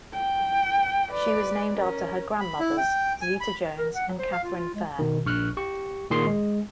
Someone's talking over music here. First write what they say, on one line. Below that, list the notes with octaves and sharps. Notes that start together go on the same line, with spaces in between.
She was named after her grandmothers, Zeta Jones and Catherine Fair.
G5
B4 D5
C#4 A#4
B5
E4
G5
G#5
B5
A#4
F#5
F#3
C5
F5
F4
F4
G#3
B2 D#3
A#1 C#6 F6 F#6
G4 C#6
A#2 D#3 G#4 C6 C#6 C7
G#3